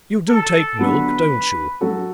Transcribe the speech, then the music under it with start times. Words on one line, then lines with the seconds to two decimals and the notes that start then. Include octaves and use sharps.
You do take milk, don't you?
0.29 A4
0.79 D3 F#3 B3 B4
1.81 F#3 C#4 F#4 A4